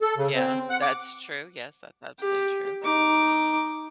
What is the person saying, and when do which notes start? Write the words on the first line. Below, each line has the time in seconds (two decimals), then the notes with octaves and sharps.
Yeah, that's true. Yes, that's absolutely true.
0.02 A4
0.17 C#3
0.35 C4
0.70 F#5
0.82 D6
2.20 G4
2.83 D#4 D6